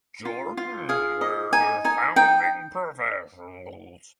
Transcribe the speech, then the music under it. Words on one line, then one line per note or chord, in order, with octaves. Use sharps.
Jordan were the founding professionals.
F4
F4
G#4 F5
D#5
D#4 G#5
D#4 G#5
D#4 G5